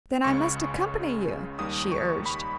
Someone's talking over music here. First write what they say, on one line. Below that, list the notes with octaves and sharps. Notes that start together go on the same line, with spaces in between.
"Then I must accompany you," she urged.
C#2 C#3 G#3 C#6
D#2 D#3 G3 D#6
C#6
B5